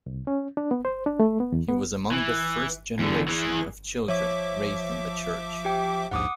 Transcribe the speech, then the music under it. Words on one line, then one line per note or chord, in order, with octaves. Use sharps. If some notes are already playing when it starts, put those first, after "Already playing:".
He was among the first generation of children raised in the church.
C2
C#4
D4
B3
C5
D4
A3
B3
E2
B3
E3
E2 D3
E3 G#4
F3 C#5 E5 D6
G4 G5
A#1 D#2 G#2 F#5 D6 D#6